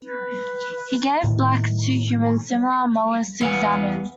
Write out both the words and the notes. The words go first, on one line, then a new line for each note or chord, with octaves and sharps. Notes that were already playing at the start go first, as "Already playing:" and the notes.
He gave Black two human-similar molars to examine.
B4
A2 D#3
E2 B3 F5 G#5